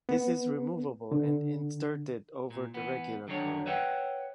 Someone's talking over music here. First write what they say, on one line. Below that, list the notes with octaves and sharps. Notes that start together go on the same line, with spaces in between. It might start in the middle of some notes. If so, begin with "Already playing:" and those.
This is removable and inserted over the regular cover.
B3
D3
A#2
E3 B3
D3 D#3 F#3 D4 F#4 C#5
B4 C#5 E5 F#5 G5